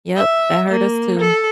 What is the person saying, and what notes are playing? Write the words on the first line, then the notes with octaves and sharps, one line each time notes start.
Yep. That hurt us too.
E5
A#3
A4